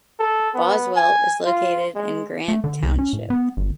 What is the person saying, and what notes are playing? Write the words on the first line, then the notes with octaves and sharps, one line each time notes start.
Boswell is located in Grant Township.
A4
B3
G#5
F4
G#3
A3
D3
C2
C#4
A2
B3
G1